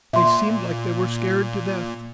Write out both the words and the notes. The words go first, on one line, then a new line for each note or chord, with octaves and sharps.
They seemed like they were scared to death.
A#2 E5 C6